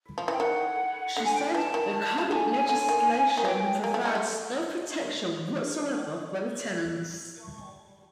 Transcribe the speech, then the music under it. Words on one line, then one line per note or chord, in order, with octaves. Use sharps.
She said, The current legislation provides no protection whatsoever for the tenants.
F3
E3 G5
D#3 F#5
D3 F#5
G#5
G5
G#5
E3 A5
D#3
C#3
D3 G#5
G#5
D3 G#5
D#3
D#3
E3 G5
A#3 G#5
A3
G#3 F#5
A3